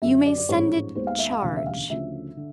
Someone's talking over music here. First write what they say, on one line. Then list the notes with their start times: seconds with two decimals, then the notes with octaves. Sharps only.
"You may send it, charge."
0.02 F#2 D3 F#3 E5
0.26 D5
0.38 D5
0.49 A1 G#2 F3 G#3 C#5
0.95 D#2 D#3 G#3 B3 C5
1.07 F5
1.19 E5
1.31 F5
1.42 E1 D2 C#3 F5
1.56 E5
1.67 F5
1.90 D2 C#3 F3 A3 E5
2.37 D3